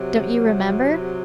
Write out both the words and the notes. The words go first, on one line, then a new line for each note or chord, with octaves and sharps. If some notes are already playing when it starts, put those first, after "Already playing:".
'Don't you remember?
Already playing: C3 F#3